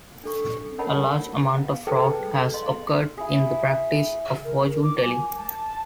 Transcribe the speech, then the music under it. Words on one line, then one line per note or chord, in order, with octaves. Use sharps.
A large amount of fraud has occurred in the practice of fortune-telling.
D4 A4 C#6
A#4 C#5 D#5 F#5 A5 B5
E5 F5
G#4 A4 B4 C5 G5 A5
D#5 F5 C6
E4 G#4
A#4
D6
G#5
A5